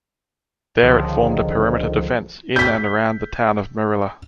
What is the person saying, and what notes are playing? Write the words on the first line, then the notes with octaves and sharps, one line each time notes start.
There it formed a perimeter defence in and around the town of Meriller.
C#2 D3 D#3 F3
G6 B6